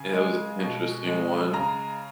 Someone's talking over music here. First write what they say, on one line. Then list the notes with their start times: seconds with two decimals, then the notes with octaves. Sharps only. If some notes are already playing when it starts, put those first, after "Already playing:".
It was interesting one.
Already playing: C#3 G#5
0.14 G#3
0.60 B2
1.07 G#3
1.53 C#3 A#5